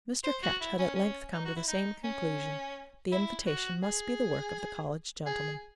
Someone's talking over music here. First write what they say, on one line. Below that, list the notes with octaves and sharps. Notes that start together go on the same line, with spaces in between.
Mr. Ketch had at length come to the same conclusion: the invitation must be the work of the college gentlemen.
C5
F#4
E4
C#4
C#4
D#4
F#4
E4
D#4
C#4
E4
F#4
G#4
G#4